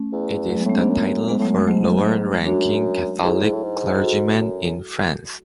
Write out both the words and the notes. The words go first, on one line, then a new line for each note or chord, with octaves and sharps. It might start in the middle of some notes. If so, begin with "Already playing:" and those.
It is the title for lower-ranking Catholic clergymen in France.
Already playing: A3 C#4
E2
F#3 A3
G#3 B3
A2 A3 C#4
G#2 B3 D4
F#2
G#2 G#3 B3
A2 F#3 A3
F#2
G#3
G#2 F#3 A3
F#2 D4 F#4
G#2 E4 G#4
F#2
G#2
A2
G#2
F#4 A4
F#2